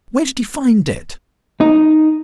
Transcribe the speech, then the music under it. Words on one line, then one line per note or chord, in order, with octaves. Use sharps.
Where did he find it?
D#4